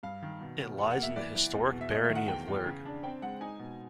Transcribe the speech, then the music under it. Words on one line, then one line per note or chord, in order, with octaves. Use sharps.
It lies in the historic barony of Lurg.
G2 F5
D#3
B2
B2
E2 F#5
F#5
A#3
E5
E3 D5
E3
E2
B2
E5
A3 D#5
E5
D#3
F#5
E2 G5
E2
C#3
D4
C4 G5
G#3 F#5
D#4 G#5
B2